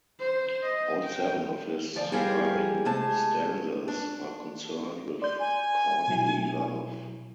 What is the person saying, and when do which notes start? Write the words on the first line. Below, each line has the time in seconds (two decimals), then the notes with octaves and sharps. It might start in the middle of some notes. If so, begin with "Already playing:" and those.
All seven of his surviving stanzas are concerned with courtly love.
0.19 C5
0.63 D#5
1.03 G5
1.96 D2 F3 D5
2.12 G3 E4 G4 G#4 A#4 F5
2.85 C3 G#3 A3 G#4 A5
3.88 D4
5.22 D5 C6 G6
5.39 G#5
6.08 B2 F#3 E4